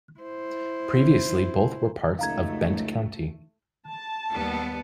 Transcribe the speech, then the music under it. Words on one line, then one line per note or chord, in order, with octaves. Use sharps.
Previously both were parts of Bent County.
E4 C5
C#2 F#2 A3 D#4 F5 A#5 G#6
A5
D#2 G3 B3